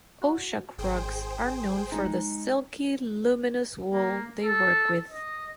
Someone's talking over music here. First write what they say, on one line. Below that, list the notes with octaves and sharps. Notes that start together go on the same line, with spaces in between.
Oushak rugs are known for the silky, luminous wool they work with.
F#4
G#1 G#4 C5 G5
G#3 D#4
A#3
A4
D#5